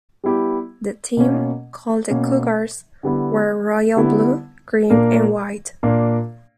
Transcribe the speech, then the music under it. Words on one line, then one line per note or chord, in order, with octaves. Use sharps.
The team, called the Cougars, wear royal blue, green and white.
G3 B3 E4 G4
B2 A#3 C#4
B2 A#3 C#4
D3 G3 B3 E4
D3 G3 B3 E4
A#2 A#3 D4 A#4
A#2 A#3 D4 A#4